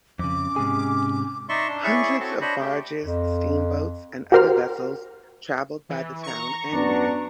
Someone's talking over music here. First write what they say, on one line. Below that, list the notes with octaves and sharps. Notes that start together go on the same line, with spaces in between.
Hundreds of barges, steamboats, and other vessels traveled by the town annually.
F2 C#3 D6
C#4
G#2 C3 G#4
D#4 D5 E5 C6 C#6
D4
E4 G#4 C#5 D5 E5 C#6
C4 F#4 A4 C#5
D4 C5 C#5 D#5 B5
A3 G4
F2
F#4 G4 A#4 C5 F6
E3
A#5 C#6
F#2 B3 D4